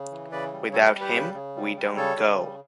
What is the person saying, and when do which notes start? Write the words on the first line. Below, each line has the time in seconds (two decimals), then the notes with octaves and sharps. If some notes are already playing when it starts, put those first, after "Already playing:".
Without him we don't go.
Already playing: C#3
0.11 E3
0.32 C#3 B4 D5
0.52 G3
0.73 G3 A4 C#5
0.86 G4 B4
0.93 G3
1.00 G4 B4
1.14 C#3
1.34 C#3
1.56 G3
1.76 G3
1.97 C#3 A4 C#5
2.17 C#3
2.38 G3